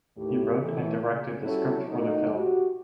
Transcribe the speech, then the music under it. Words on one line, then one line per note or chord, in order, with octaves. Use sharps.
He wrote and directed the script for the film.
D#2 A2 G4
A2 E3
C#3
F#3 G3 C#4 E4 A4 C#5
D#3 F#3 A3 B3 D#4
F#4 G4